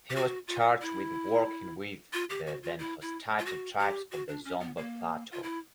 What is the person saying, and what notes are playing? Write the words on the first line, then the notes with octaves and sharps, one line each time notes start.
He was charged with working with the then hostile tribes of the Zomba plateau.
G4
F#4
F4
E4
F4
G4
F#4
F4
E4
E4
F4
F#4
G4
F#4
D4
C#4
B3
A#3
F4
E4